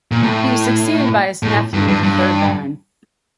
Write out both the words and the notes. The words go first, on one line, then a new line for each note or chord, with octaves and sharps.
He was succeeded by his nephew, the third Baron.
A#2
A2
A2
G2
G2
G2